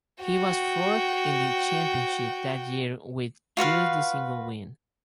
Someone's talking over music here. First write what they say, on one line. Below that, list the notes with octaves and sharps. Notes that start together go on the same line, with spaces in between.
He was fourth in the championship that year with just the single win.
F#4 G5
F4 F#4 B4 F5